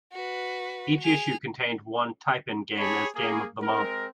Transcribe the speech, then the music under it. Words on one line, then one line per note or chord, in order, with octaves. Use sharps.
Each issue contained one type-in game as Game of the Month.
F#4 B4
G#4 F7
G4 G#4 C#5 A5 B5
A#3 G#4
G#3 C4 A#4